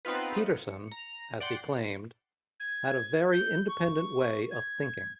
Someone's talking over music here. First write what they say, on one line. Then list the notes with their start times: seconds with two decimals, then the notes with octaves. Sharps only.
Petersen, as he claimed, had a very independent way of thinking.
0.05 B3 C4 D#4 F4 B4
0.42 C#7
0.91 A#5
1.40 D5 F#5 G5 C6
2.59 G#6
3.31 G6
3.67 C#6
4.51 G#6